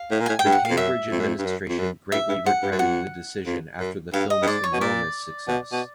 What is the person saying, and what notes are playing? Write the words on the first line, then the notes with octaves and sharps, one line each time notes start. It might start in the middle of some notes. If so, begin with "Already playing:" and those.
The Cambridge administration greatly regretted the decision after the film's enormous success.
Already playing: F5
A2
A#2
A2 G#5
G5
G2
F#5
F5
F2
F#2 E5
F2
F#2
F2
G2
F#2
F2
F#2
G2 E5
G2
G#2 F#5
G2
F#2
F2 F#5
F2
F#2
G2 F5
D#5
G2
G#2 D5
C#5
B2
A#2 D5
B2
B2